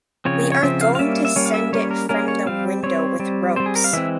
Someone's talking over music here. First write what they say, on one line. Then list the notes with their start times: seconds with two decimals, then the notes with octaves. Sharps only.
We are going to send it from the window with ropes.
0.25 C#3 F3 C4 C#5
0.52 C#5
0.63 C#3 F3 C4 E5
0.81 F5
0.95 F5
0.99 G3 A#3 C#4 E5
1.25 E5
1.36 G3 A#3 C#4 C#5
1.46 F5
1.54 E5
1.73 G3 A#3 C#4 C#5
1.91 A#4
2.09 G3 A#3 C#4 A#4
2.28 C#5
2.46 G3 C4 F5
2.83 G3 C4 C#5
3.20 G3 C4
3.56 G3 C4 C5
3.66 G#4
3.75 A#4
3.84 F5
3.93 E3 G#3 C4 E5